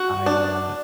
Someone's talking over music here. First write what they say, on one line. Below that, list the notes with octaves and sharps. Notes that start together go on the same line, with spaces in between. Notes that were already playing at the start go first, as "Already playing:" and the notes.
I, uh
Already playing: F#4
D4